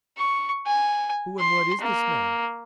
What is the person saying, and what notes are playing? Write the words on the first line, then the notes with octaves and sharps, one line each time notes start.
"Who and what is this man?"
C#6
G#5
C6
A#3